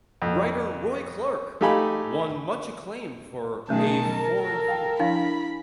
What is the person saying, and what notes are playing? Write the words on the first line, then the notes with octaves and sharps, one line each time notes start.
Writer Roy Clarke won much acclaim for "A Foreign Field".
F2
A3 D#4 G4 F5 G#5 B5
B2 D#3 F#3 A3 C#4 G#4 A5
F#3 A#4
A4
F5 G5
F3 D4 E4 F5 G#5 B5